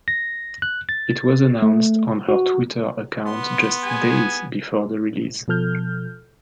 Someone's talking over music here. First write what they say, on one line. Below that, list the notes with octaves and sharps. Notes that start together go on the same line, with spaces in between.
It was announced on her Twitter account just days before the release.
A#6
F#6
A6
A3
F#4
B3 C6
G4 G#4 G#5
B2 F3 A4 F6 G6